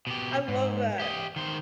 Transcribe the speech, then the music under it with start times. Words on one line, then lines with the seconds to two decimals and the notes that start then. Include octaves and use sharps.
I love that.
0.07 B2 G4
0.48 G#2
1.00 G4 D#5
1.36 D#3 C5